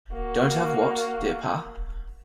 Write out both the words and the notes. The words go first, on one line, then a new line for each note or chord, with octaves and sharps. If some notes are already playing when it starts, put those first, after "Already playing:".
Don't have what, dear Pa?
A#3 F#4